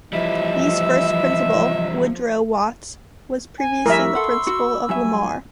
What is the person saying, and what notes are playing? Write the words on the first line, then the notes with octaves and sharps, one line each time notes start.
Lee's first principal, Woodrow Watts, was previously the principal of Lamar.
E3 F3 G3 D#5 E5
G#5
A2 F3 G3 A#4 E5 B5 C#6 E6
A4 F#5 C6
F#4
G2 F#3 E5 G#5